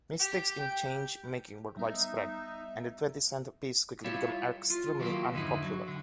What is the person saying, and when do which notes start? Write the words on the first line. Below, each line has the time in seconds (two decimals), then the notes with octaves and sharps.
Mistakes in change-making were widespread, and the twenty-cent piece quickly became extremely unpopular.
0.19 G4
0.59 G5
1.77 G3 B3 D#4 E5
4.04 G3 E4 F4 G4 C#5
4.70 F4
4.99 D#3 E3 F#3 A#3 F4 G4
5.33 F2 G#2 D3 E3 D#4 E4
5.62 F#3
5.88 D3